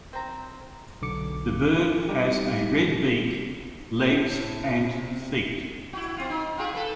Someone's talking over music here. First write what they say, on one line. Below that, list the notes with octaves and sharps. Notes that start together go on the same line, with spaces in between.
The bird has a red beak, legs and feet.
C4 A#5
B1 D3 D6 C#7
G3 D#4 G4
A2
C3
E4 F#4
C4 F4
D#4
F4 G4 G#4
A4 B4